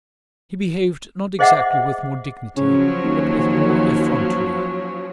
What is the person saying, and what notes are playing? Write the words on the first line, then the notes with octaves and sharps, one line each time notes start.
He behaved not exactly with more dignity but with more effrontery.
G#4 C5 D#5 E5 F#5 D6
C#3 F3 F#3 C#4
D#2